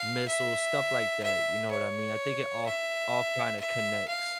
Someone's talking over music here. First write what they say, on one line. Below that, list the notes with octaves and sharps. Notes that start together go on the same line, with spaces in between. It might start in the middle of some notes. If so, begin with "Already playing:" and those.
missiles, stuff like that, you know what I mean? I think it all all kinda connects.
Already playing: F5
E5
E5
C#5
E5
E5
F5